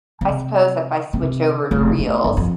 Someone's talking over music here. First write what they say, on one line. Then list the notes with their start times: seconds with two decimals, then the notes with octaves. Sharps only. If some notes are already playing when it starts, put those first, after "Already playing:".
I suppose if I switch over to Reels,
0.21 C3
1.13 C3
1.71 F1
1.99 A3
2.24 G1
2.37 F2